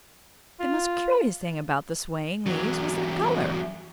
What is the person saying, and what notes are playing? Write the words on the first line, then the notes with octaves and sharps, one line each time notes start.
But the most curious thing about the swaying leaves was their color.
F4
E2 F#3